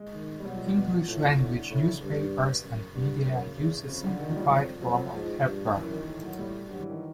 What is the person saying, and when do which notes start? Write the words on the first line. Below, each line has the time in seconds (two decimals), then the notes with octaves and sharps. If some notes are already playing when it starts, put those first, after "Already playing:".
English-language newspapers and media use the simplified form of Hepburn.
Already playing: G#3
0.14 D#3
0.40 G3
0.45 B2 F#3
0.55 F3
0.67 G3
0.76 B2 F#3
0.92 F3
1.08 A2 F3
1.24 E3
1.39 A2 D3
1.70 A2 C#3
2.02 G2
2.63 F#2
2.94 G2 D3
3.26 F#2 C#3
3.57 E2
3.88 F2 C#3
4.04 D3
4.20 D#3
4.30 F3
4.36 G3
4.40 F#3
4.50 F2 F3
4.82 F2 F#3
5.13 G#2 F3
5.44 G2
5.76 F#2 E3
5.91 D#3
6.07 A2
6.23 F#3
6.39 A2 G3
6.69 G2 F#3
6.80 E3
6.90 D#3